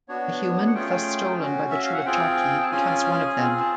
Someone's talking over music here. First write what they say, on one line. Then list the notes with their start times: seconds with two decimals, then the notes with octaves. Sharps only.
A human thus stolen by the Chullachaqui becomes one of them.
0.08 B3 D4 F#4 C#5
0.67 F#5
0.74 A3 C#4 F4 G#4 G5
1.40 C#4 F#4
1.71 E5
1.83 F5
1.94 F#5
2.05 C4 F4 G#4 G5
2.63 A5
2.71 C#4 F4 G#4 G#5
3.38 C4 F4 G#4
3.60 A5